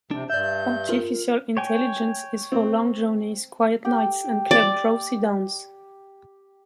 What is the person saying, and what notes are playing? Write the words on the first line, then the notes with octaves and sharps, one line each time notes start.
Artificial Intelligence is for long journeys, quiet nights and club drowsy dawns.
C3 D4
G2 D5 E5 G6
F4 A#4
C#5 G5 G#5
C4
G4 G5
D5